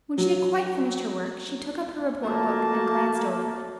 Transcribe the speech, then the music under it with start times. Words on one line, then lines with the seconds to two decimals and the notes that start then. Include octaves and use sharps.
When she had quite finished her work she took up her report-book, and glanced over it.
0.18 F#3
2.24 F2 A3 A#3 F#4 A5